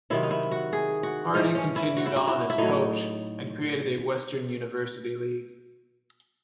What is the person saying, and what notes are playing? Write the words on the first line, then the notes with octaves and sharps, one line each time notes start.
Hardy continued on as coach and created a western university league.
C3 D#3 F#3 E4
D#4
E4
F#4
G#4
F#4
G#2 E3 D#4
C#4
E4
F#4
E4
F#4
E4
E4
A2 F#3 D#4